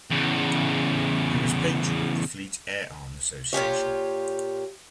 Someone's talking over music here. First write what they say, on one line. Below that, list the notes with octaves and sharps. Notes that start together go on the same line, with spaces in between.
He was Patron of the Fleet Air Arm Association.
E2 C#3
A#2 F4 G4 C#5